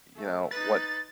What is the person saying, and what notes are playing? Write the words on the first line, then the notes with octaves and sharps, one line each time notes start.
you know, what
A3
D#4 B4 A6